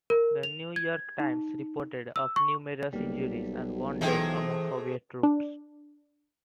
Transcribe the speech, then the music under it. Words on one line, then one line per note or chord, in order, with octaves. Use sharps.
"The New York Times" reported of numerous injuries and one death among Soviet troops.
A#4
F7
G#6
D#4
E6
C#6
B1 G3 A#3
C3 E3 G#3 A3 G5
D4